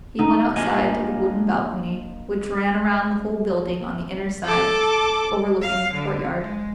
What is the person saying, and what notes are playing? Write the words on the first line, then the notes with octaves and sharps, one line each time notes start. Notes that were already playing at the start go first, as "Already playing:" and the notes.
He went outside to the wooden balcony which ran round the whole building on the inner side, overlooking the courtyard.
D#4
A#3 D4 F4 G4 D#5 G#5
A4 D6
F5
D3
G#3